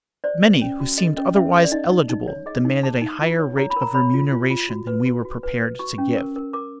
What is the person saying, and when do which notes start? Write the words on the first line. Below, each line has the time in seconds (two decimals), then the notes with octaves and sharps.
Many, who seemed otherwise eligible, demanded a higher rate of remuneration than we were prepared to give.
0.24 C5 D5
0.43 C5
0.62 C#4
0.80 F#4
0.98 A4 D#5
1.17 C#4 D#5
1.36 C#4 E5
1.54 A4
1.64 D5
1.72 D#4 D#5
1.91 D#4
2.10 D#4
2.28 C#5
2.46 G#4 D#5
2.65 D#4
2.83 G#4 A5
3.01 D#4
3.21 F4
3.39 C#5
3.57 C#5 A#5
3.70 B5
3.76 A#4
3.82 A#5
3.94 C#5 B5
4.14 F4
4.32 F4
4.50 F4
4.69 F#4
4.87 B4
5.05 F#4
5.25 F#4
5.43 B4
5.61 B4
5.79 F#4 C#6
5.98 C#4
6.17 A#4
6.36 A#4
6.53 A#4 D6